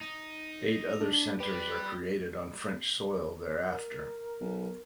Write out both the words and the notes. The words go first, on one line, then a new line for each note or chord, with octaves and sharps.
Eight other centers are created on French soil thereafter.
D#4
D4
G4 B4 D5
A#4
B1